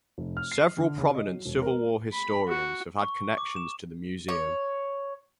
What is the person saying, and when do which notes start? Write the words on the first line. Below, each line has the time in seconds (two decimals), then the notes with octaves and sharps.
Several prominent Civil War historians have had connections to the museum.
0.18 F1
0.37 F6
0.52 C7
0.78 D3
0.98 C#3
1.15 D#5
1.27 F#3
1.45 E1
1.62 A#4
2.12 B5
2.48 F#4
2.99 C#6
3.38 D6
3.56 E7
4.28 C#5